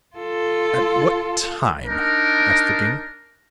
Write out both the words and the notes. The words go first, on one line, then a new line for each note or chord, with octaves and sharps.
"At what time?" asked the king.
F4 A4
D4 D#4 A#4